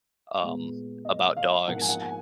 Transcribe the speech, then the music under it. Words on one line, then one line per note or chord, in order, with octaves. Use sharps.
um, about dogs,
A#2 G#3 B3
D#5
F5
G#2 F3 A#3 F#5
G#5
F#5
G#5